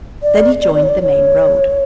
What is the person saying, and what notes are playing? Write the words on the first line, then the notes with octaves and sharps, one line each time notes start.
Then he joined the main road.
D5
D5
D5
C#5
D5
C#5